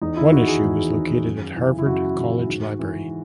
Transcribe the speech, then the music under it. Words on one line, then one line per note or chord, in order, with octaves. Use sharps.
One issue is located at Harvard College Library.
E2 D#4
E4
D#3 F#4
G#4
E2
D#3
F#2
C#3 E3
E4
F#2 F#4
C#3 E3
G#2
E3